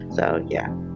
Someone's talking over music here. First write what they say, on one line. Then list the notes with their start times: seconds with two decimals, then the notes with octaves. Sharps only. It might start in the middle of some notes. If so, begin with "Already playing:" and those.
so, yeah.
Already playing: F1
0.10 F2
0.29 E3
0.49 F1
0.67 F2